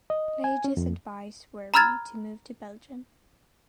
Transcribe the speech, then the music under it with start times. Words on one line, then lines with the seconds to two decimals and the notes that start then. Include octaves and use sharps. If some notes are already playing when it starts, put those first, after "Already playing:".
Lages advised Wery to move to Belgium.
0.10 D#5
0.44 G#5
0.64 C#4
0.77 F2
1.74 A#5 B5 E6 F6 G#6 A6